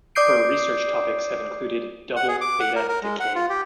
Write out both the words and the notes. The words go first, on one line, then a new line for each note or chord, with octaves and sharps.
Her research topics have included double beta decay.
D5 D6 D#6 G6 C7 D7
F#5
G#4
D6
F#5
A#4
A#4
G#3
F#5
F4
G4